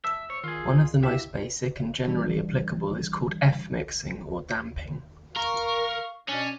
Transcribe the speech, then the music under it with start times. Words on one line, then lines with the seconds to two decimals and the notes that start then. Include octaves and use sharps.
One of the most basic and generally applicable is called "F-mixing" or damping.
0.04 E5 A5 E6
0.30 C5 C#5
0.44 D#3 F4 G#4
1.03 E4 G4 E5 F5
2.07 D#3 E3 G3 D4
5.36 A#4 F5 C#6
6.28 B2 C#4 D4